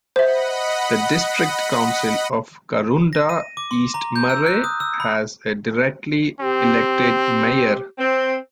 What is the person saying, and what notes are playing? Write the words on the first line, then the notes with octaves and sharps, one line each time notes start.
The District Council of Karoonda East Murray has a directly-elected mayor.
C5 D#5 E5 F#5 B5
A#6
D#7
D6
C6
A#5
G6
E6
F#6
D#6
E6
B5
C4 G4
C4